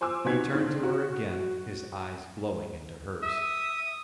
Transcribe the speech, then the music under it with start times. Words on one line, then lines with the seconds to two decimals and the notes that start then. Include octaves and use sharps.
He turned to her again, his eyes glowing into hers.
0.01 C5 G#5 D6 E6
0.24 C3 B3 D#4 F#4 G#6 B6
0.52 D3 D#3 C4
0.83 F#4
3.23 E5 D#6